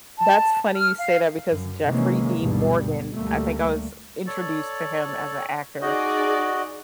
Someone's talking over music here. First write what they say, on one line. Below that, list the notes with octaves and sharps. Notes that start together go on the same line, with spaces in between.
that's funny you say that because Jeffrey Dean Morgan, I think I was introduced to him as an actor
A5
F6
F5
F#2
C3 D#3 E3 G#3 A#3 C#4
D2 G2 B2 G3
D2 G3 A3 A#3
A4 C#5 D5
D#4 F#4 G#4 D5 D#5